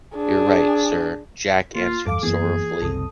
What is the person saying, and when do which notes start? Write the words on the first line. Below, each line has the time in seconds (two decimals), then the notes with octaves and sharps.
You’re right Sir, Jack answered sorrowfully.
0.16 D4 G#4
1.76 A#3 F4
2.07 E2 G2 A4 F5 D6
2.23 F#2 E3 A#3 B3 G#4
2.82 F#1 C2 C4 A4 D#6